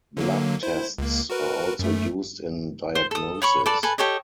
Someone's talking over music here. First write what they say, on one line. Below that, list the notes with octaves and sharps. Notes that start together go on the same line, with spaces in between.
Blood tests are also used in diagnosis.
D3 F#3 A#3
E4 C5
C#2 A#3
F#4 A#4 B4
F#2 A3
C5
A4 D#6
C#5 B5 C#6
A4 B4 D5 A5
A4 B4 G#5
G4 A4 C#5 D#5